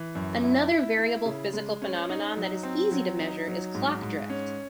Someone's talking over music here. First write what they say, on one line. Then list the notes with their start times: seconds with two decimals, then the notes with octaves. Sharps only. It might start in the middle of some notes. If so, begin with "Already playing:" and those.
Another variable physical phenomenon that is easy to measure is clock drift.
Already playing: E3
0.15 F#2
0.43 E4
0.71 E4
0.98 E4
1.25 C#3
1.53 G#3
1.82 C#4
2.09 D#4
2.37 F#3
2.63 C4
2.91 F#3
3.19 D#4
3.47 F#3
3.75 G#2
4.02 G#2
4.30 C#4